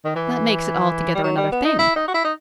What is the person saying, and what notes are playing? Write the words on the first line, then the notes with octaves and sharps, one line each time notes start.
That makes it altogether another thing.
D#3
E3
G3
F#3
G3
B3
D#4
E4
D#4
F#4
E4
D#4